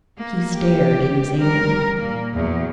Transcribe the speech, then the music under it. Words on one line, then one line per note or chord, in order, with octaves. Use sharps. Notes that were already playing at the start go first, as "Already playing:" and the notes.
He stared insanely.
A#3
G4
G3 A#4
A#2 A#3
E2 F#3